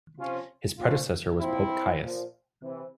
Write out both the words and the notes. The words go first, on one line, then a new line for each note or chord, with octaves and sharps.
His predecessor was Pope Caius.
C3 F3 C#4 F4
A#2 F3 C#4 F4
A#2 F3 C4 E4
A#2 F3
C3 E3